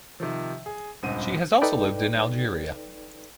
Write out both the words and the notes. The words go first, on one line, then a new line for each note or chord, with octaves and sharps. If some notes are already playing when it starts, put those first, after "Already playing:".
She has also lived in Algeria.
C3 D#3 F3
G#4
D#1 C#2 G2 C4 F#5 D#7
D#4 A4 B4 D5 G5